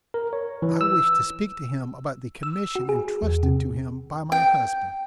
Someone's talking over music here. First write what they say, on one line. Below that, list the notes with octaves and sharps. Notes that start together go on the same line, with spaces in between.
I wish to speak to him about the commission intrusted to him by my husband.
A#4
C#5
E3
E6
E6
F#4
G#4
E2
C3
G5